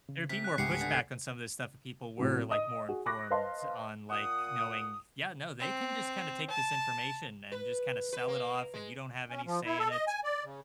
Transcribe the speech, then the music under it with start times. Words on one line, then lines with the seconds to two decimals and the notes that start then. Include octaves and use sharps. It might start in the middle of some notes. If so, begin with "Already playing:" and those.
there'd be more pushback on some of this stuff, if people were, like, more informed on, like, knowing "Yeah, no, they can just kinda take this information and just kinda sell it off, and you don't have any say in it,"
0.09 C#3
0.29 C3 B6
0.44 F#6
0.58 C#2 G#2 A3 B3 G4 G#4 C7 C#7
0.81 D3
2.18 A2 C3 F#3
2.51 D#5 D#6
2.89 F#4 G#4
3.06 B5 C#6 D6 F#6 A#6
3.30 B4 C5 D#5 F5 A5 C6
4.09 A#2 F#5 D#6
5.60 C4
6.50 A5
7.52 B4
8.13 B4
8.28 A#3
8.74 G#3
9.29 C#4
9.46 F3
9.65 E4
9.79 A4
9.91 D#5
10.07 G#5
10.24 D5
10.44 C#3